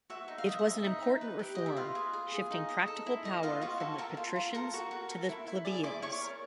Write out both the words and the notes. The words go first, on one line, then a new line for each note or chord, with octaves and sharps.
It was an important reform shifting practical power from the patricians to the plebeians.
F#4 E5
D#4
F5
D#5 E5
D#5
G#4 E5
D#4
D#4
B4
G4
G4 D#5
E5
F4 B4 F5
G#4
G#4
G#4
D#4
D#5
A4
E4
D#5
F4 B4 F5
F4 F#4 F5
F#4 A4 A5
A4 A#4 A5
F4
F4
A4 A#4 A#5
F#4
F#4
A4
E4
E4
G#4 D5 D6
E4 D5 D6
C#5 D5 C#6
A#4